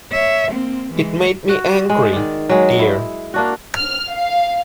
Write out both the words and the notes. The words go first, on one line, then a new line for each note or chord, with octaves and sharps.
It made me angry, dear.
C#5 E5
A#3 C4
E3 G#3
F#4
G#3
D#3 D5
F#3 G#3
E4
A#3 D4 F#4
F6
F5